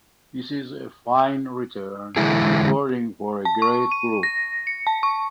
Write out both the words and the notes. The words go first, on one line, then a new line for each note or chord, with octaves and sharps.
This is a fine return to recording for a great group.
D3 E3 G#3 E4 G#4
A5
C#6
D#7
A#6
C#7
A5
C#6